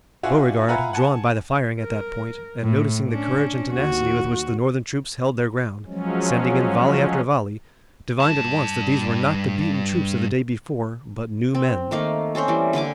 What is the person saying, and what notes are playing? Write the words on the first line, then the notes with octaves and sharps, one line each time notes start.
Beauregard, drawn by the firing at that point, and noticing the courage and tenacity with which the Northern troops held their ground, sending in volley after volley, divined at once that these were not the beaten troops of the day before, but new men.
D4 F4 F#4 E5 F#5 G#5
F4 B4 E5 F#5 G#5 A#5
F#5 G#5 A5
A#4
A2
C#4 D4
D#2 F#4
F3 F#3 G#3 C#4
G2 A5
C4
D#3 A3 A#3 F5
C4 C#4 C5 C#5
E3 G3
D3 A#3 G#5 D6